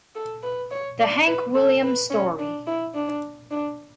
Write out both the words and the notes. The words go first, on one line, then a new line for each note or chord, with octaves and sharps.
The Hank Williams Story.
A4
B4
C#5
D5
B4
A4
B4
C#4
D4
E4
D4
D4